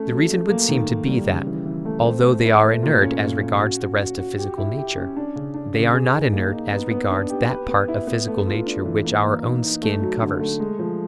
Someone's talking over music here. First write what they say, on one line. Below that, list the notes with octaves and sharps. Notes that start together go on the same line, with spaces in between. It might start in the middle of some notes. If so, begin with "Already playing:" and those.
The reason would seem to be that, although they are inert as regards the rest of physical nature, they are not inert as regards that part of physical nature which our own skin covers.
Already playing: A3 C#4
F#3
A3
A#3
D#3
D#3
G3
C#3
E3
E3
A3
C4
A3
E4
A3
A#2
C#4
A#2
C#4
F#4
F#4
F#4
F#4
G4
E4
G4
C#4
D4
C#3
D4
C#3
G#4
D#4
A#3
D#4
B3
B3
D4
G4
B4
B3
E4
B3
A3
F4
D4
E3
A#3
A#3
D#4
D#4
A3
F#3
D3
A3
G#3
F3